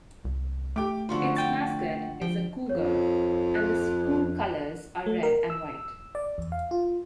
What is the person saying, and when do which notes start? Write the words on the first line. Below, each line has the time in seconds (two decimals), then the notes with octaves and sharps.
Its mascot is a cougar, and the school colors are red and white.
0.25 C2
0.76 A3 G4 G5 D6
1.09 D3 F3 F#4 F#5 C6
1.36 G5 A6
2.21 F3 G5
2.69 F2 C#5
3.55 F#6
5.06 A3
5.23 A#4
5.50 E6
6.15 D5
6.38 E2
6.52 F5
6.71 F4